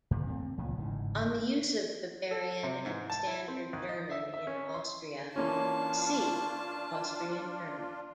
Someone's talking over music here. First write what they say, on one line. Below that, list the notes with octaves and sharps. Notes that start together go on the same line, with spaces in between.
On the use of Bavarian and standard German in Austria "see" Austrian German.
G2 A#2
D#2 A3 C4
C#2 A#2 E3 F3
G1 G#2 C#3 E3
A4
C3
G#2
A5
E4
C4
D#2
D#5
E5
E5
C#4
C6
E3 A#3 C#4 D4 F4 A5